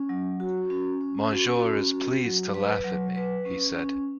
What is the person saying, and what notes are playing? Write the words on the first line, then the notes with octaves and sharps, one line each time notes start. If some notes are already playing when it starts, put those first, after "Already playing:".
"Monsieur is pleased to laugh at me," he said.
Already playing: C#4
F#3
F#4
C#4
C#4
F#4
C#4
F#4
F#3
B4
F#3
B4
C#4
C#4